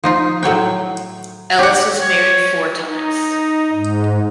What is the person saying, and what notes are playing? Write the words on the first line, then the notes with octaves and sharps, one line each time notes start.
Ellis was married four times.
F3 D#4 F4
A2 F#3 C#5 G5
G4 F#5
C#5
D#4
G#2